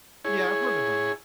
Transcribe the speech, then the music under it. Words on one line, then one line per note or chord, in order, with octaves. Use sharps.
Yeah, I've heard of them.
E4 G#4 C#5